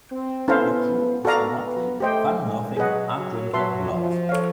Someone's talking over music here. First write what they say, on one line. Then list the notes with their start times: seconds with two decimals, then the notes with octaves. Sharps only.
The crew is a motley, fun-loving, hard-drinking lot.
0.11 C4
0.48 B3 C#4 E4 A4 C5 F5
1.24 B3 F#4 A4 D5 F5 A#5
1.63 B3
2.00 A3 G4 C5 D#5 G5
2.39 G#3
2.77 F#3 G#4 B4 D#5 F#5
3.15 F#3
3.53 F#3 B4 E5 A5 C6
3.91 F3
4.29 A4 C#5 F5